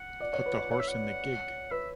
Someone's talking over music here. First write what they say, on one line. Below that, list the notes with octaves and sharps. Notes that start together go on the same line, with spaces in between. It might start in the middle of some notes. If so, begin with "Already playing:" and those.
Put the horse in the gig!
Already playing: F#5
D5
C#5
B4
C#5
C#5 F#5
E5
F#5
B4 E5